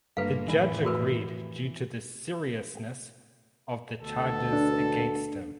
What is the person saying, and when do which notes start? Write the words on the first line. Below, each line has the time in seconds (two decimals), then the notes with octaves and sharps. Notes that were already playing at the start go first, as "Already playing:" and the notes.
The judge agreed due to the seriousness of the charges against him.
0.17 G1 A#3 B4 F5
0.48 F2 A2 E3 E4
0.85 F#4 A#4 B4
4.01 D2 B2 A4
4.53 D4